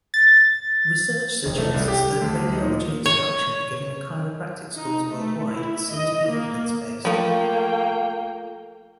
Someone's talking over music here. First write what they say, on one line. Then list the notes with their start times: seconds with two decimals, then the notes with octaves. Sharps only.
Research suggests that radiology instruction given at chiropractic schools worldwide seem to be evidence-based.
0.14 A6
1.45 F1
1.58 A3
1.74 C2
1.88 G4
2.21 D2
2.53 D#4
2.64 A#2
3.06 C#5
4.76 D#4
5.08 A3
5.53 E4
5.91 D#5
6.29 A#3
7.05 F3 A3 A#3 G5